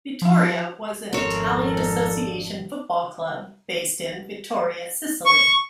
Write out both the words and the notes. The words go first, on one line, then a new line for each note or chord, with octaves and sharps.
Vittoria was an Italian association football club, based in Vittoria, Sicily.
F3
G#1 F2 C4 A4 A#4 C#5
G2
C#6